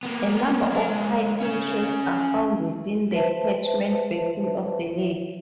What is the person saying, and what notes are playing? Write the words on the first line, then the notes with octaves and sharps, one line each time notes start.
A number of hiking trails are found within the catchment basin of the lake.
A#3 B3
F#3 A#4
B1 G#3
C#4 F5
B4 C5 E5 A5